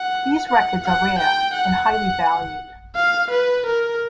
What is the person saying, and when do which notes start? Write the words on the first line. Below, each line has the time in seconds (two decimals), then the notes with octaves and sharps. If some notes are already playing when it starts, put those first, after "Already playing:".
These records are rare and highly valued.
Already playing: F#5
0.48 F#5
0.84 F#5
1.19 G5
1.54 F#5
2.96 F5
3.31 B4
3.66 A#4